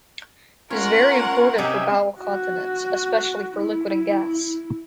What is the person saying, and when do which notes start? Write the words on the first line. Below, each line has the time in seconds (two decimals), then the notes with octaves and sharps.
It is very important for bowel continence, especially for liquid and gas.
0.70 C#4 F4 A#4 C#5 F#5
1.58 C3 C#4 D#4 E5 G5 G#5
2.20 F#4
3.57 E4